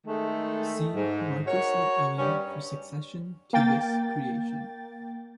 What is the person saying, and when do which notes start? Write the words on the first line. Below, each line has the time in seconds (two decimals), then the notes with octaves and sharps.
See Marquess of Ely for succession to this creation.
0.07 D#3 G#3 A3
0.95 G#2
1.47 F#4 A#4 C#5
2.18 G2 G3 C#4
3.53 A#3 G5 A6